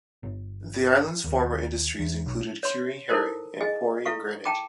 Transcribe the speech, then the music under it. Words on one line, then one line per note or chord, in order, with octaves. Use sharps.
The island's former industries included curing herring and quarrying granite.
G1
D#2
E2
B1
C#5 C6
D#4 E4 A4 A#4 C5
G#4 D#5 G#5
E4 A4 F5 C#6
G5 A5 A#5 D6